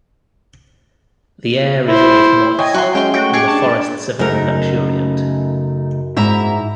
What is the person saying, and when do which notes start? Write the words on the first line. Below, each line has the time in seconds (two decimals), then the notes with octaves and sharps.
The air is always moist, and the forests are very luxuriant.
1.87 E4 C5
2.59 C#5 D#5 G5 G#5
2.74 F#3 F#4 E5 C6
2.95 G#3 C#4 G5 C6
3.14 A3 F#4 G5
3.33 G4 G#4 C#6
3.48 D4 A5
4.19 F#2 C#3 A3 D#4 A#4
6.17 G#2 E4 E5 A#5